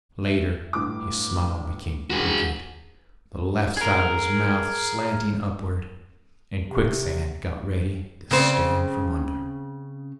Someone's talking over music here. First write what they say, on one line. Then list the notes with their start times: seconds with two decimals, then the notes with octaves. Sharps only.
Later, his smile became crooked, the left side of his mouth slanting upward, and Quicksand got ready to stand from under.
0.25 E5
0.73 G1 A2 D6
2.10 E1 F#4 G#4
3.77 G#4 A#4
6.67 C3
8.31 C#3 C4